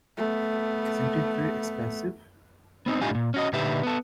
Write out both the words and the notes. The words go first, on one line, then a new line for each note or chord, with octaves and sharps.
Isn’t it very expressive?
A3 B3
B3 C4 D#4
A2 D4 D#4 F4 G4 G#5
A#2
C#4 F#4 D#5
A#2 D3 D#4 G4 B4 E5
B3 A4